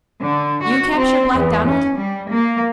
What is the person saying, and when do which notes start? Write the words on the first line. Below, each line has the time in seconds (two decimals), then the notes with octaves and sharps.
You capture Black Donald!
0.21 D3
0.63 F#4
0.96 C4
1.36 E2
1.67 C#4
1.97 G3
2.31 A#3